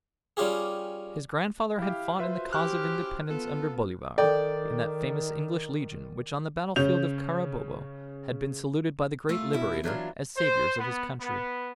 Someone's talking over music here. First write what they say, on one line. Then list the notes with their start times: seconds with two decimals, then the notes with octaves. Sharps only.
His grandfather had fought in the cause of independence under Bolivar, in that famous English legion which on the battlefield of Carabobo had been saluted by the great Liberator as Saviours of his country.
0.37 G3 C#4 F4 G4 G#4
1.79 E4 G4 F5
2.19 F4 F#4 B4 C5 E5
2.53 C#4 E4 G4 F6 F#6
3.28 B3 F4 A4
4.18 D#3 A4 D5 G5
6.76 C#3 C#4 G6 F7
9.29 A3 F4
9.53 B2 E4
9.84 E3 F#3 D4 F4
10.38 C5
10.78 B3
11.21 B3